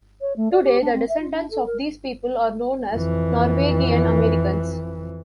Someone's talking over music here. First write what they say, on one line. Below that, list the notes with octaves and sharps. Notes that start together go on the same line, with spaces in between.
Today, the descendants of these people are known as Norwegian Americans.
C#5
A3
D5
G4
D4
C4
E5
F4
D4
A4
A#4
F2 E3